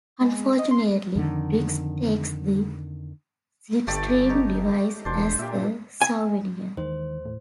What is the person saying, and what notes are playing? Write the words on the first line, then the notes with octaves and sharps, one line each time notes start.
Unfortunately, Briggs takes the Slipstream device as a souvenir.
G#3
D#5
C6
F2 D3 D#3
G1 A3 G4 D5
D#4 C#5
E1 D4 C5
A#2 G4 E5
G#5
D#2 D#3 E3 G#3 C5
A2